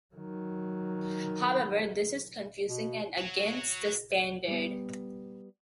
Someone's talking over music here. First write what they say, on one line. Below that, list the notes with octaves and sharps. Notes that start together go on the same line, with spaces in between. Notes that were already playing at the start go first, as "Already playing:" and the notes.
However, this is confusing and against the standard.
D#3 F#3
B2
F#4 C#5
G3 B3